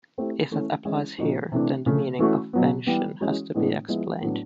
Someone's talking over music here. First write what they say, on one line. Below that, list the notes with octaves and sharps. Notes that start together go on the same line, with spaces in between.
If that applies here, then the meaning of 'Vention' has to be explained.
A3 C4 E4 G4
E3 A3 C#4
E3 G#3 C#4 E4 G#4
A#2 F3 A#3 D#4 F#4
C3 E3 A3 D4
C#3 F3 A3
E3 A3 C#4 F#4
B2 F#3 B3
E3 G3 B3
E3 G#3 C#4 F#4
A2 E3 G#3 B3 D4
F3 G#3 B3 E4
A2 F#3 B3 D4